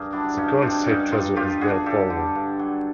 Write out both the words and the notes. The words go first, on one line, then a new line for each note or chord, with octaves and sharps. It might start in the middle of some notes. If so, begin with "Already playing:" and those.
The current state treasurer is Dale Folwell.
Already playing: G2 G#4 A#4
F#3 D4 E4
G2 C#4 D#4
G2 C4 D4
G2 C#4 D#4
G2 D#4 F4
G2 F4 G4
D3 F#4 G#4
G2 G4 A4
D3
G2
F#3